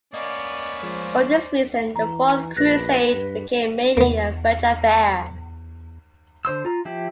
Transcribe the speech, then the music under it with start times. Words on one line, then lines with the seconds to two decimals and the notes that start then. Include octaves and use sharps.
For this reason, the Fourth Crusade became mainly a French affair.
0.14 A#3 B3 C#4 D5 D#5
0.83 F3 G#3 C5 D5
1.96 E3 A#5
2.56 A#1 B4 F#6 A#6
3.13 G2
3.97 E2 A#3 B3
6.45 D3 C5 C6 E6
6.65 F4 A#5
6.85 F3 E4 G4